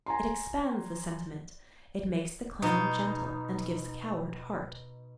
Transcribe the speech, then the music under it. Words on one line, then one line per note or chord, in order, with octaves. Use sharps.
It expands the sentiment; it makes the clown gentle and gives the coward heart.
G#5 A#5 C6
B2 D#4